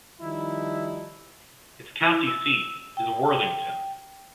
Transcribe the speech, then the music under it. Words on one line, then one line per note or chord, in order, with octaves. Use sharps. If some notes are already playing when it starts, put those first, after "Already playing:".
Its county seat is Worthington.
D#3 F3 G3 D#4 E4
E4
E6
G5